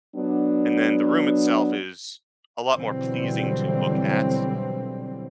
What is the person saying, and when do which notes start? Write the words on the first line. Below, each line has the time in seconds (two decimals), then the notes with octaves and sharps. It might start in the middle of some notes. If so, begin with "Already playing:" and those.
and then the room itself is a lot more pleasing to look at.
0.15 F#3 B3 D4
2.76 B2 D3 E3 F#3 G3 C4